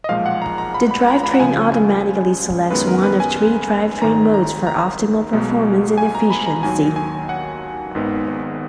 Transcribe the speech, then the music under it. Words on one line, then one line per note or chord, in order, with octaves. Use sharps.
The drivetrain automatically selects one of three drivetrain modes for optimal performance and efficiency.
D#5
B1 A#2 F3 G#3 F5
F#5
A#5
A#5
B5
B5
A#5
A#5
B5
F#5
C#2 C#3 F3 G#5
F#2 D#3 G#3 B3 B4
A#4
B4
G#5
G#1 G#2 D#3 A#5
A#5
A#5
B1 B2 G#3 B3
G#5
A#5
B5
A#5
D#2 D#3 F#3 A#3 G#5
G#5
F#5
G#1 G#2 D#3 G#3 B3